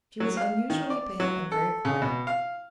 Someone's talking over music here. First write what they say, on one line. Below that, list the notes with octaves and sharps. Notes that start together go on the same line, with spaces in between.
She was unusually pale and very quiet.
F#3
F5
D#3
D5
F#3
A4
C#3
B2
F5